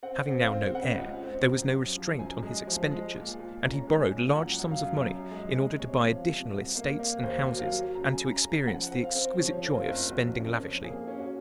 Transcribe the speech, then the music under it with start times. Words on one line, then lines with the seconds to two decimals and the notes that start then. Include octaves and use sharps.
Having now no heir, there was no restraint on his expenditures, and he borrowed large sums of money in order to buy additional estates and houses and to experience the exquisite joy of spending lavishly.
0.03 C4 F#5
0.27 C4
0.39 F5
0.51 C4
0.75 C#3 F#5
0.99 C#2
1.23 C4
1.47 F#2
1.71 F#2
1.95 F3
2.19 F#2 G#5
2.43 G#3
2.67 F3
2.91 G#3
3.15 A#2
3.39 A#2
3.63 C#4 A#5
3.87 G#3
3.99 G#5
4.11 A#2
4.35 F#2 F#5
4.59 F#2
4.71 F5
4.83 F#2
5.07 F#2
5.31 G#3
5.55 G#3
5.79 C3 C#5
6.03 F3
6.15 F5
6.27 C3
6.51 C2
6.75 A#3
6.99 A#3
7.23 D#2 C5
7.47 F#3
7.59 F5
7.72 F#3
7.95 C#3 A#5
8.13 G#5
8.19 C#3
8.32 A#5
8.43 C#3
8.49 A#5
8.67 F3 F#5
8.92 C4
9.03 F5
9.15 C4
9.39 F3 C#5
9.63 C4
9.76 F4
9.88 F#1
10.11 F2 F#4
10.35 C#4
10.48 A#4
10.59 F2
10.83 A#3 G#4
11.07 C#4
11.19 F#4